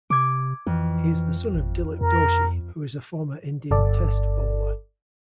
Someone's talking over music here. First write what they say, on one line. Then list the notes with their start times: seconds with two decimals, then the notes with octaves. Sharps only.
He is the son of Dilip Doshi, who is a former Indian Test bowler.
0.10 C3 D6 G#6
0.67 F2 E3
1.54 G#1
2.01 F2 A#4
3.71 G1 A4 D5